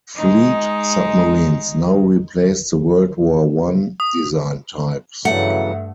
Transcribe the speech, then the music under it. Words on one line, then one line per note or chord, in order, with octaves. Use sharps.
Fleet submarines now replaced the World War One-designed types.
G#3 D#4
D#6
G2 C#3 E3 F#3 A3 F#5